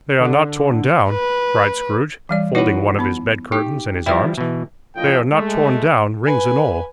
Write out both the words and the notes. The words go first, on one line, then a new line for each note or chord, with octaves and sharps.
'They are not torn down,' cried Scrooge, folding one of his bed-curtains in his arms, 'They are not torn down, rings and all.
D3
B4
E3 G3 D5
D#4 E4 F#4 B4 C#5
B3 B5
D#4 G4
F3 G3 E4 E5 G5
B2 E3
A#1 A2 F3 F4 D#5 G5
G#3 A3
B4 G#5